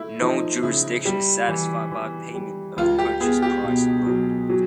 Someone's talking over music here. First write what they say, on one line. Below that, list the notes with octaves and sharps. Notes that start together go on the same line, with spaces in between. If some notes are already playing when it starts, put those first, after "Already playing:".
No jurisdiction is satisfied by payment of the purchase price alone.
Already playing: A3 E4
F3 D#4
C#3 E4
G3
E3
E3
G3
C#2 F4
G4
B3 G#4
G4
B2
F#3
F#3